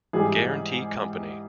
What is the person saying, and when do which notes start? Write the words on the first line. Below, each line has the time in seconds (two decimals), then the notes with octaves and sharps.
Guarantee Company.
0.13 G#2 E3 G3 G#4